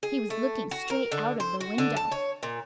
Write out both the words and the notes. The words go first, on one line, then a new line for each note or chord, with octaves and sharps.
He was looking straight out of the window.
G#4
A3
F#4
A#4
D3
C5
F#4
D3
A5
C#5
A#2